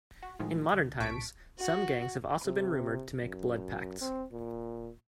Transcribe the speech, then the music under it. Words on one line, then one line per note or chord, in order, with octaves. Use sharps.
In modern times, some gangs have also been rumored to make blood pacts.
F#4
A2 D#3 F3 G#3
D2
C2 A#2 A5 C#6 B6 D7
F#4
C3
F#2
C4
A#2